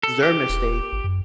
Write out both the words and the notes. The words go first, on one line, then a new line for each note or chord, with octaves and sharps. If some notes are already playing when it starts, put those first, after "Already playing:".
their mistake
A4
G4
E1
G#1
F#2